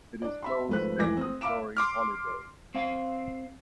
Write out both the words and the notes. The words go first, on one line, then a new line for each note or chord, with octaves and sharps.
It is closed statutory holidays.
D4 D5
E5 B5 C6
G#1 F3 A3 B4 C5 F#6
F1 C#2 E3 D6 G#6 A#6
C4 D#6
E5 F5 B5 D6 D7 E7
C6 D6 F6
C4 F5